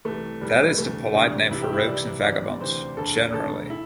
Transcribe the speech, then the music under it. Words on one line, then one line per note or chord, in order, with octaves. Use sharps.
That is the polite name for rogues and vagabonds generally.
C2 C3 E3 A3
C2 C3 E3 G3
D2 C3 E3 A3
D2 C3 E3 D4
C2 C3 E3 E4
G4
E4
C2 C3 E3 D5
D2 C3 E3 D5
D2 C3 E3 C5
E1 D2 D3 A4
E1 D2 D3 A4
E4